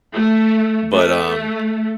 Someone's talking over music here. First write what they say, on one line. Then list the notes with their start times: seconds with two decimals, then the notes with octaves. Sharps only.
but, um
0.13 A3
0.93 A3